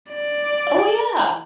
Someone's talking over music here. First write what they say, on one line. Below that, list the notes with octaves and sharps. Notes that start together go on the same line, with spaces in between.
Oh, yeah.
D5